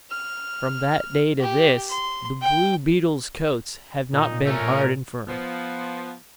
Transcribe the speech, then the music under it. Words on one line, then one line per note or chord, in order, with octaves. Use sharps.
From that day to this the blue beetles' coats have not been hard and firm.
F6
G4
C6
G5
A#2 D#4
A3 C#4 A#4
F3 B3